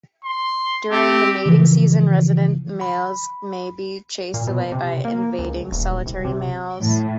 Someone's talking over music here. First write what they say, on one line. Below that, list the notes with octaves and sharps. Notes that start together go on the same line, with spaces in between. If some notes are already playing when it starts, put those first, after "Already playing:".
During the mating season, resident males may be chased away by invading solitary males.
C6
A3 C4 G4
C#3 E3 F3
B5
A#2
B2
C3
A#3
C#2
D#1
C2
C3
A2